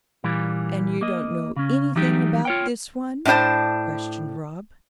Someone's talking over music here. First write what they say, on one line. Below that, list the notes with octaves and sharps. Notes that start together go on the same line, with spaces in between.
"And you don't know anything about this one?" questioned Rob.
A#2 E3 G3 A#3
A#3 D#5
C#3 C#4
E3 F#3 G3 A3 D#4 G4
F4 C#5 G5
A2 D4 E4 C5 A5